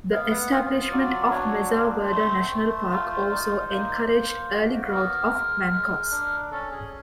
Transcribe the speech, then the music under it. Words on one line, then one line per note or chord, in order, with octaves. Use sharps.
The establishment of Mesa Verde National Park also encouraged early growth of Mancos.
B3 F5
F#5
F4 F5
F#3 D5
D4 C#5
C4 C5
A3
A3
F4
D#4
A#3
A#3
F#4
B4
B3 A#4
G#3
G#3
D4
C#4 A4
G#4